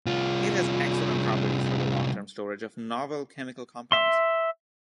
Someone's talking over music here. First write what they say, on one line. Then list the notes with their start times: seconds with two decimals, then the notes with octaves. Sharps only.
It has excellent properties for the long-term storage of novel chemical compounds.
0.06 C2 F4
3.92 E5 C6